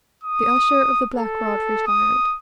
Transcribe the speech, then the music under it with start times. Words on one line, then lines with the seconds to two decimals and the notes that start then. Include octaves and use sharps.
The Usher of the Black Rod retired.
0.23 D#6
1.15 A4
1.87 D#6